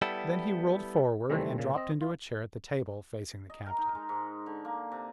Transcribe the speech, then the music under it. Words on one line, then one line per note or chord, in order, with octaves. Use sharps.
Then he rolled forward, and dropped into a chair at the table, facing the Captain.
G3 B3 E4 A4
C3 D#3 E3 G3 A3 C4
A#2 C#3
C4 D#5
F4
D#5
A#4
D#4
G#3
G#2
D3
A#3
C3